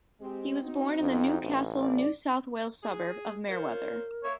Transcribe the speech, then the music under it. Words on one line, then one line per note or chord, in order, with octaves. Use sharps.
He was born in the Newcastle, New South Wales suburb of Merewether.
G#3 C4 G4
C4 D#4 F#4
F2
A1
D5
G#4
F4 A#4 C5 C#5
A#3 C#5 E5